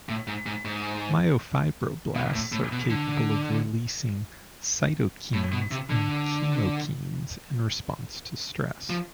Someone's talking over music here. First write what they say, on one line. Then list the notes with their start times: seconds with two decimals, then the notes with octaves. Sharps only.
Myofibroblasts are capable of releasing cytokines and chemokines in response to stress.
0.09 A2
0.27 G#2
0.46 G#2
0.65 G#2
2.15 B2
2.34 A2
2.52 A2
2.72 B2
2.90 D3
5.33 A2
5.52 B2
5.71 C3
5.90 D3
8.90 F3